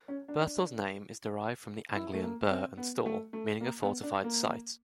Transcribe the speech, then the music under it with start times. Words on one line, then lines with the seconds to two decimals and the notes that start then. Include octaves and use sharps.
Birstall's name is derived from the Anglian "burh" and "stall" meaning a fortified site.
0.08 C#4
0.28 D4
1.95 E4
2.14 A3
2.23 A#3
2.51 C4
2.77 B3
3.06 A3
3.33 A3
3.61 A#3
3.82 B3
4.03 D4
4.24 A#3